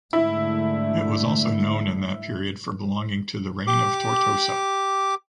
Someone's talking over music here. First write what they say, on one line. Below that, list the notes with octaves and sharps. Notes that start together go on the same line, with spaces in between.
It was also known in that period for belonging to the reign of Tortosa.
G#2 D3 A3 E4
G4 D6